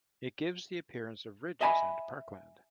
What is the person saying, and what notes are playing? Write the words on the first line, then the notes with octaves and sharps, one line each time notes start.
It gives the appearance of ridges and parkland.
D#5 E5 G#5 A5 B5